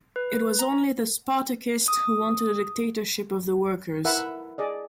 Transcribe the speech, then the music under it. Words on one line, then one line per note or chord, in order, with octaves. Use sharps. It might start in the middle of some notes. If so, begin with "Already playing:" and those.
It was only the Spartacists who wanted a dictatorship of the workers.
B4
A#5
D#6
E4 A#4 B4 E5 F#5
G#4 D5 D#5